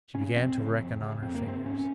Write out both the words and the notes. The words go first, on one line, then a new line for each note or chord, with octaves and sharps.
She began to reckon on her fingers.
C#3 C#4
F2 C4
C#3
F2
C#3
F2 C4
A#3
C#3 C4
G#2 C#4